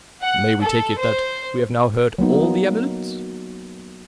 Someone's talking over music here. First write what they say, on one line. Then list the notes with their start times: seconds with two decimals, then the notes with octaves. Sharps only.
"May we take it that we have now heard all the evidence?"
0.22 F#5
0.61 A4
0.99 C5
2.18 F#3 A#3 B3 D#4